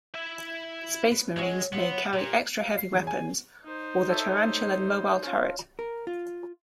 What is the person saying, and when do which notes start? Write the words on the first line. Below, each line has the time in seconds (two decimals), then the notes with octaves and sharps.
Space marines may carry extra heavy weapons or the tarantula mobile turret.
0.14 E4 E5
1.11 B3
1.36 F#3 G#3 C#4 F#4
1.72 F#3 B3 F4
2.13 A#2 F4 G4
2.61 F5
2.77 C7
2.92 E2
3.07 G#5
3.64 D#4 C5
4.09 A4 C#5 E5
5.23 C#4 F4
5.79 A#4
6.07 F4